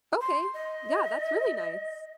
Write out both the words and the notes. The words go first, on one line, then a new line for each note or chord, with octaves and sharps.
Okay. Yeah, that's really nice.
C6
D#5